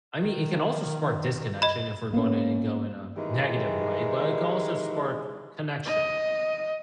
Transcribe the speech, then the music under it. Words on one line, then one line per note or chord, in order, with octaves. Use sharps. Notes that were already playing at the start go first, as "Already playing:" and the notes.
I mean, it can also spark disconnection if we're gonna go in a negative way, but it can also spark connection,
D#3
D#5 B5
A#3 B3 C#4
D#3 E3 G#3 G4 G#4
D#5